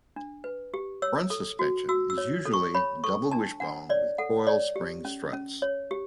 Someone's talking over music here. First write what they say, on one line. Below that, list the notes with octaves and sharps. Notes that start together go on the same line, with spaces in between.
Front suspension is usually double wishbone with coil spring struts.
D4
B4
G4
C#5 E6
A4
F#4
F#4 E6
E6
C#5
A4
C#6
C#5 B5
A4 C#6
D4 A5
D4 F#5
C#5 D5
A4 F#5
C#5 D5
G4
C#4
C#4
C#5
G4